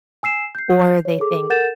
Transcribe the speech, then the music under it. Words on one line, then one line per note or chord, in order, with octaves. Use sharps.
Or they think,
G#5 E6 C7 E7
G6 C7
C#5
G#4 A4 D6
A4 A#4 F#5 G6 A6 E7